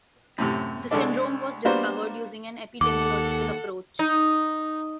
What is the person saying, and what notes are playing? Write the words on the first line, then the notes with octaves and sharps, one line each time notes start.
The syndrome was discovered using an epidemiological approach.
F#2 A2 C3
C2 G#3 D4 A4 D5
G3 A#3 B3 D4 F#4 C5
D#2 A4 F#5 D6
D#4